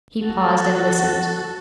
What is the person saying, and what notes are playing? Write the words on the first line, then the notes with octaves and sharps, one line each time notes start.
He paused and listened.
F#4 A4